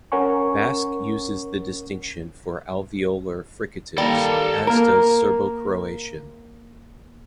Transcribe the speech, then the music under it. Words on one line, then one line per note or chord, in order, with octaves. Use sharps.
Basque uses the distinction for alveolar fricatives, as does Serbo-Croatian.
C#4 A#4 C#5 F#5 G#5 C#6
D#3 G3 A#3 A4 A#5
A#3 A#4